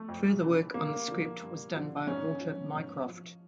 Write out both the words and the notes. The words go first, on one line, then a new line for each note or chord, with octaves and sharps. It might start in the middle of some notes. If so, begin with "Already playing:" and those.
Further work on the script was done by Walter Mycroft.
Already playing: A3
F2
C#3 E3
G2 A#3
D3 F3
G2
D3 F3
G#2 C#4
F3
G#2
F3